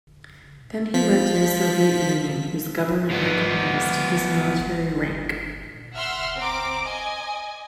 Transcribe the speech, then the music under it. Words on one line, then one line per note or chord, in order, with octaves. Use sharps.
Then he went to the Soviet Union, whose government recognized his military rank.
F3 B6
F3 B3
E5 F#5 C6 E6 F6
C4 A#5 D6
D#5 G#5